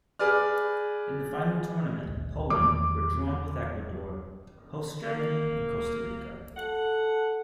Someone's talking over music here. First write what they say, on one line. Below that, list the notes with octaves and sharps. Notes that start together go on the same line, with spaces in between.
In the final tournament, Poland were drawn with Ecuador, hosts Germany and Costa Rica.
G#4 B4 D5 F6
D#1 G#1 D2
E2 D#3 G3 D6
A#3
A4 F#5